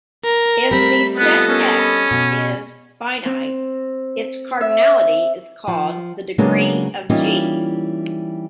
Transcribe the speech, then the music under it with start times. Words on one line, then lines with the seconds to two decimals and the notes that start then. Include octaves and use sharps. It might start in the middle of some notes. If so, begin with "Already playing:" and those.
If the set "X" is finite, its cardinality is called the "degree" of "G".
0.24 A#4
0.71 G3 A3 C4 B5
1.18 B3 F4 A4 D#5 F#6
1.48 B3 C#4 A#4
1.79 B5
2.11 B2
3.25 C4
4.61 E5
5.68 F3
6.38 C#3 F#3 G#3 A#3 B3 D4
7.09 E3 G3 A#3 C#4 D#4 F4